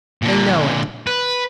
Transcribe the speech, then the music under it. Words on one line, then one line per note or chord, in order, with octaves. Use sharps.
They know it.
A#2 D3
B4